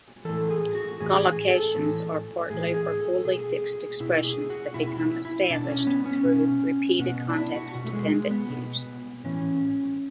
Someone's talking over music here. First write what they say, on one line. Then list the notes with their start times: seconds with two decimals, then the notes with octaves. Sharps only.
Collocations are partly or fully fixed expressions that become established through repeated context-dependent use.
0.25 A2 E3 A4
0.50 G#4
0.75 F#4
1.00 A2 E3 G#4
1.25 G#4
1.50 A4
1.75 A2 E3
2.50 A2 E3 G#4
2.74 G#4
3.00 A4
3.25 B2 G#4
4.00 B2 E4
4.24 G#4
4.50 F#4
4.74 B2 E4
5.00 E4
5.25 E4
5.50 B2 D4
5.68 C#4
5.87 B3
6.06 C#4
6.25 B2
6.99 B2 B3
7.29 D4
7.37 E4
7.56 F#4
7.75 B2 F#4
7.85 A3
7.93 G#3
8.12 G#3
8.31 B3
8.50 B2
9.24 A2 E3 C#4